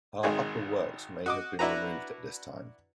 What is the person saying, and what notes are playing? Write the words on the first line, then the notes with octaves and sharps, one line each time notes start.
Her upper works may have been removed at this time.
G#1 D#3 G#3 G#4
F#4 D#5 D6
D4 E4 F#4 B4 A#5